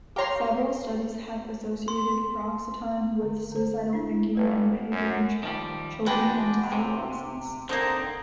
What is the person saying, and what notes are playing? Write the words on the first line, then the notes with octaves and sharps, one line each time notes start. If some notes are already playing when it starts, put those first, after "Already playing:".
Several studies have associated paroxetine with suicidal thinking and behavior in children and adolescents.
G4 C#5 F5 A#5 C6
C6
D3
D3 C5
D4 E4
G1 G3 B4
F#2
D#3 F3 G3
E2 G#3 D4 F#4 B4 G5
C3
D3 A#3 C4 D#4